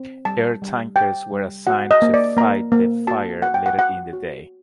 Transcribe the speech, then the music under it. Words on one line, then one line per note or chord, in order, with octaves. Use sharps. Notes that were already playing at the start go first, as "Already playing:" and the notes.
Air tankers were assigned to fight the fire later in the day.
Already playing: C4
G3 A5
G3
G4 G5
G3
F#4 F#5
D#5
A#3
D5
A#3 A#5
A#3
F#4 A5
F#4 F#5
G5
F#5
F#4 F#5
F#4